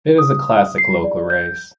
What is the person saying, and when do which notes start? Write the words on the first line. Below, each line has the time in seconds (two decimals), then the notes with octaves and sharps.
It is a classic local race.
0.18 D#6
0.78 C7
1.04 D5
1.30 G6